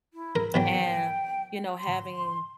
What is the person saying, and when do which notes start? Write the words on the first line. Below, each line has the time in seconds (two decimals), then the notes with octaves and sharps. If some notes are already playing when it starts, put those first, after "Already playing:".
and, you know, having,
0.13 E4
0.36 A#4
0.54 B2 E3 F#3 G5
1.79 C6